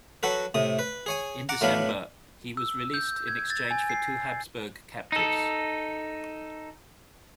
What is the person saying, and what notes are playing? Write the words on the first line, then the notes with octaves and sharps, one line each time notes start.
In December, he was released in exchange for two Habsburg captives.
F#3 F#4 A4 B4
A2 C3 D#6
B4
G#4 C#5 G#5
F#5 A#5 D6
A2 F#3 B3 D4 F5 B5
E6
G6
G#6
A6
G#5
C7
D#4 A4